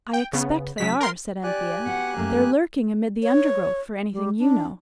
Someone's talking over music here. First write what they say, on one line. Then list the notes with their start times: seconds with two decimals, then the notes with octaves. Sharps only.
'I expect they are,' said Anthea; 'they're lurking amid the undergrowth, for anything you know.
0.13 G5
0.33 C#3 B3
0.78 C#3 F#3 B6
1.00 A#4 C6
1.44 G4 D5 G#5 F#6
1.86 B3 F#4 F#5
2.16 F#2 A3 A#3
3.23 C#5
4.12 G3
4.39 D4